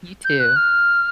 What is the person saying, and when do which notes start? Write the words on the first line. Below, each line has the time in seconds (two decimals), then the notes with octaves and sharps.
You too.
0.25 G6
0.40 F#6
0.56 F6